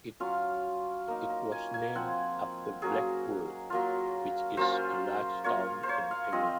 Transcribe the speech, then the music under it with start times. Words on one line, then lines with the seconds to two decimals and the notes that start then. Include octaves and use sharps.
It was named after Blackpool, which is a large town in England.
0.20 F#3 C#4 F4 F5
1.08 A#3 D#4 A#5
1.30 A#5
1.52 G#5
1.74 G#5
1.95 F3 C4 F4 F#5
2.82 F#3 A#3 C#4 G#4
3.70 F#3 A#3 F4
4.57 F#3 A#3 C#4 F4 C5
5.44 A#3 F4 C#5
5.83 C5
5.89 C#5
6.11 F5
6.32 F3 C4 F4 D#5